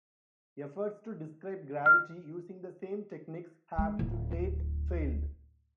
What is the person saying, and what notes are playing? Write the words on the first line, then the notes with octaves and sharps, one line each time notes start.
Efforts to describe gravity using the same techniques have, to date, failed.
F6
G#3
D1